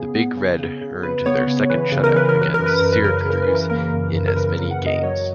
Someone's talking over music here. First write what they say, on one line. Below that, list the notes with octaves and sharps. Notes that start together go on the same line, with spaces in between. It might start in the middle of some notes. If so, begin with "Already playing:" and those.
The Big Red earned their second shutout against Syracuse in as many games.
Already playing: C#3 B3 G#4
B3
C#3
C#3
C#3
C#3 B4
B3 C#5
C#3
E3 B4
C#3
A#4
E3 B4
A#4
F#2
B4
A#4
F#2
B4
F#2 A#4
B4
C#3 A#4
B4
C#3 A#4
E3 B4
A#4
A#3 A#4
F#2
F#2
A#4
C#3 B4
A#4
C#3
F#5
F#2 D#5
F#3 C#5